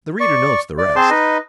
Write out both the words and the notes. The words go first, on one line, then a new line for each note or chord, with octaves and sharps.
The reader knows the rest.
D5 C#6
D5
C4 G#4 C5 A5 C6
D#4 B4 D#5